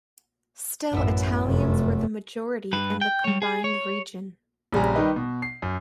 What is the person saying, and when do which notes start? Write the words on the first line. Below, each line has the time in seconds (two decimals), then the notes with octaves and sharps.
Still Italians were the majority in the combined region.
0.93 A1 F#2 B3 E5
1.45 F1 A3
2.73 G2 B4
3.01 G5
3.24 G3 C#5
3.42 G#4
3.64 C#5
4.73 A#1 C#3 G3 G#5 A#5
4.95 D#3 G3 D#4 B4
5.16 B2
5.42 C7
5.62 F#2